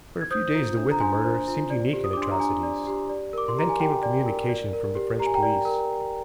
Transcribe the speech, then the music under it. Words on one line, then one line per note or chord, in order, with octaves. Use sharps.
For a few days the Withan murder seemed unique in atrocities, and then came a communication from the French police.
G#6
C5 D#6 G6
F4
D4
A#5
D4 G#5 C6
C5
F4
D5
G4
D#6
D4 D6
C6
A#5
D4 G#5
D5
G4
D5
A#4 D6
C6
G4 A#5
G#5
G4 G5
D5
A#4
D5
A#4
G4
G4 A#5
G#5
G5 A#5
D5
A#4